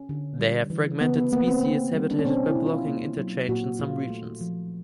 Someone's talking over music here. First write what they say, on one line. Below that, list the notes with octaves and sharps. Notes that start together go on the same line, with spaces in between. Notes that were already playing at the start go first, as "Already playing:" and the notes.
They have fragmented species habitat by blocking interchange in some regions.
Already playing: C#4
D3
G3
E3
C#3 B3
B3
A#3 B3
C4
A#3
G3
D4
C#4
B2 C4
E4
B2
F4
A#3
F#3
A#2 F#4
A#2 F4
A3
F3